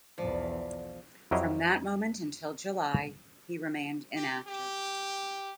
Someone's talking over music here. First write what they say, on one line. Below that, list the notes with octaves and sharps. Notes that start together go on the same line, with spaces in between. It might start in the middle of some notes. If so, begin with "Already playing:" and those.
From that moment until July, he remained inactive.
B1 E2 F3 D5
F2 F#3 E4 G4 D#5 F5
G4
G4